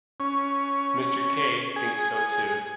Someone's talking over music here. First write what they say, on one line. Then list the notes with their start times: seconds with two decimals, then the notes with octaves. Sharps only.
Mr. Kay thinks so too.
0.20 C#4
1.76 G#4